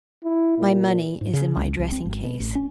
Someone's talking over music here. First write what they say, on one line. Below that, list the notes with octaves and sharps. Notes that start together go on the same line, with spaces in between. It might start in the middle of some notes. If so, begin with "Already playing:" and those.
My money is in my dressing-case.
E4
A#2
G#2
C#3
C#2
C2
C4
G#1
B2
A1
C#4